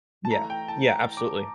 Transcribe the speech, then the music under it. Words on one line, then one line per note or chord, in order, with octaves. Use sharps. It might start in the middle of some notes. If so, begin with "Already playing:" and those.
Yeah, yeah, absolutely.
A5
E3 A3 E4 A#5
G5
A5
A#5
D6